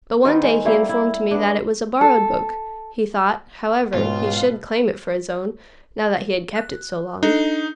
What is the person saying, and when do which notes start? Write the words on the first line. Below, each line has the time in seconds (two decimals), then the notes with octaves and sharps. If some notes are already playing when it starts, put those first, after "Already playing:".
But one day he informed me that it was a borrowed book; he thought, however, he should claim it for his own, now that he had kept it so long.
0.25 D#3 B3 C4 A#4
0.43 G#3
0.65 G3 A3 A#3 E4
0.89 E4
1.31 B3 D4
2.01 A4
3.94 C#2 G#2 B2 F4 C5
6.56 F#6
7.23 D4 D#4 A4